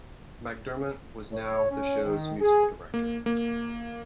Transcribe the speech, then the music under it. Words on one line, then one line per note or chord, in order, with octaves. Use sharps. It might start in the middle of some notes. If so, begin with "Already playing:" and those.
MacDermot was now the show's musical director.
C#5
C#4
D#3
G#4
A#3
A#3